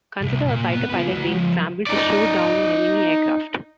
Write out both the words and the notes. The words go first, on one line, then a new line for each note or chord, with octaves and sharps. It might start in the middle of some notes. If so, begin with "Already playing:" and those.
Consider a fighter pilot being scrambled to shoot down an enemy aircraft.
C2
A#2
B3
F4 B4
A3 F#4
F3 G#3
D#4 D5